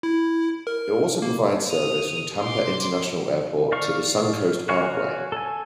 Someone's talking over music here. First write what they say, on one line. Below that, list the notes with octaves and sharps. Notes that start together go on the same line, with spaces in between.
It also provides service from Tampa International Airport to the Suncoast Parkway.
E4
A#4
A#3
D#6 F7
C6 D6
D5 F5 C#6
F#4 C#5 F5 G#5 C#6
A4 G#5